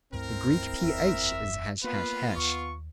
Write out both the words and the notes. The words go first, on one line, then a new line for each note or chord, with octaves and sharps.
The Greek ph is ### .
C#2 G2 A3 C4 E4 A#4
F#1 E2 E5
A#3 B3 F4 B4
D#2 C#6